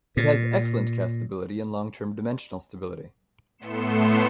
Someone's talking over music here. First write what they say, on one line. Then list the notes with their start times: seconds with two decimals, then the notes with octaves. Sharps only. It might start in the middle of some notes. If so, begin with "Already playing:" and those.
It has excellent castability and long term dimensional stability.
0.17 A#2
3.58 A2 A3 B3 C6 C#7 E7